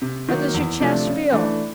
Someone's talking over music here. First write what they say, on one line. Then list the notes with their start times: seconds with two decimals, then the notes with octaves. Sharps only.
"How does your chest feel?"
0.02 C3
0.28 D#3 F#3 A#3
0.54 E2
0.80 C3 F3 A3 D4
1.06 C#3
1.32 E3 A3 D4